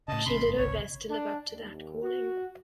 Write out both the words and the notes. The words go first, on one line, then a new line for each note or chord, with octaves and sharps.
She did her best to live up to that calling.
A2 C#3 D#5 A5
A#1 A#2 C#3 B5 C6
F#1 G#2
G#1 C#2 C3 C#5
D4
D#2
F#4